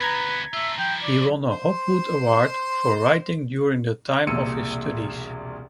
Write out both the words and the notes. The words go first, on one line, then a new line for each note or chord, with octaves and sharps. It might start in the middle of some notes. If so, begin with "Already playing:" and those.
He won a Hopwood Award for writing during the time of his studies.
D2 B3 B4 A#5 G#6 B6
A3 F4 E5
F3 E4 G5
D5
C5 C6
E1 C2 A#2 E6 C#7 D#7